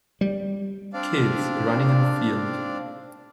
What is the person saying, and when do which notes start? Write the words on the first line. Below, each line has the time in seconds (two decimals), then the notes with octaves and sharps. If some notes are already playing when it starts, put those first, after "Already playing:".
Kids running in the field.
0.21 G3
0.93 C4 D4 D5 F5